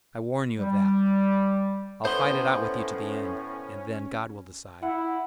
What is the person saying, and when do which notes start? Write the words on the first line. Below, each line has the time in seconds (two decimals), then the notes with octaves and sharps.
I warn you of that. I'll fight it out with you to the end, and then God will decide.
0.59 G3
2.05 A2 B3 C#4 C5 C6
4.83 E4 F#5